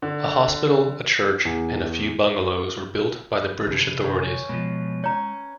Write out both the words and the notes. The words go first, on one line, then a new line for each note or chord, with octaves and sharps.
A hospital, a church, and a few bungalows were built by the British authorities.
D3
E2
B4
F1 D3 C#4 B4
G#4 C#5 G5
B2 F3 G#3 B4
C#4 C#5 A#5